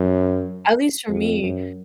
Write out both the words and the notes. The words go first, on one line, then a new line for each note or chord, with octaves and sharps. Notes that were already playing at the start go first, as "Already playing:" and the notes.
at least for me,
Already playing: F#2
F2
F#2